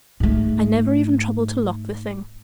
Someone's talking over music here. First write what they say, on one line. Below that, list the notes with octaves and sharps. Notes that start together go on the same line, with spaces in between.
I never even trouble to lock the thing.
G#2 A3